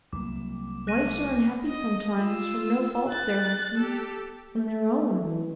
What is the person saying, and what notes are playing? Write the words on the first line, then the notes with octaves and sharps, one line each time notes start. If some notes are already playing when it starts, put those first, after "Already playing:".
"Wives are unhappy sometimes; from no fault of their husbands--from their own."
C2 F#3 A#3 D6
F#6 A#6 D#7
D#5
F4 E6
F#6 A6
G4 A4
A3
E3